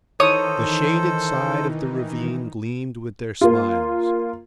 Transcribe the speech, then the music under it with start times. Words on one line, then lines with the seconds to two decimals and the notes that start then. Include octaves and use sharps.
The shaded side of the ravine gleamed with their smiles.
0.20 D#3 E3 D#4 A4 C5 C#5 D#6
3.41 A#3 F4